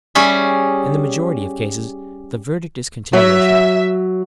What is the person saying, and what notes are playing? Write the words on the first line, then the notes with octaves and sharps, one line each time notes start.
In the majority of cases the verdict is continuation.
G3 C#4 G#4 E5
F#3 E5